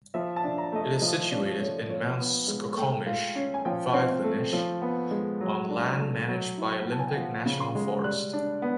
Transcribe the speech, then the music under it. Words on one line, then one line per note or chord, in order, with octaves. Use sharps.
It is situated in Mount Skokomish Wilderness on land managed by Olympic National Forest.
F3 E5
A5
D4
A#5
A3 D#5
E5
F3 D#5
C#4 D5
A3 C#5
F3 C#5
B3
G#3
A3 G5
F4
C#4
G#5
F3 G5
C4
A3
F3
B3
G#3
F#3
D4
A3
F#3 F#5
E4
G5
B3
A5
G#5
G5
F3 F#5
C#3
C6
G#3
G3 F#6
D4
B3